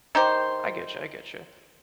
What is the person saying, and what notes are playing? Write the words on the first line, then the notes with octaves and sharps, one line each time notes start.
I get you, I get you.
D#3 G4 C5